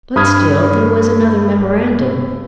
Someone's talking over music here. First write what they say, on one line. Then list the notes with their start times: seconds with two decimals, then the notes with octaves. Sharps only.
But still there was another memorandum.
0.16 G2 B5 D#6 F6 G#6